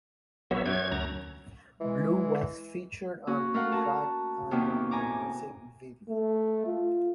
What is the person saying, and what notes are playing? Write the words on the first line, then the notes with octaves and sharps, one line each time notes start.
Blue was featured on the track and on the music video.
A#1 F#3 B3 C#5 E5
F#2 C#5 G#6
D2 A#5
E3 G#3
A#3 C#4 F#4
A3 A#4 F5 F#5
F#4 A5 A#5
E2 C3 D#3 A#3 B3 C#4
A2 G#5 A#5 D6
A3
F4